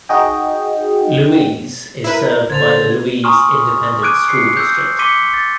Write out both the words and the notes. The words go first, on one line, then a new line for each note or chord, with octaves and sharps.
Louise is served by the Louise Independent School District.
D#4 F#4 G#4 D#5 G5
E4 A#4 B4
D3 C5 G#6 A6 F7
G#5 A#5 C6 C#6 D#6 F6
D6 F6 F#6 G#6 D7 D#7
C7 C#7
E6 G6
C6 D6 B6 C#7 D#7 G7
A6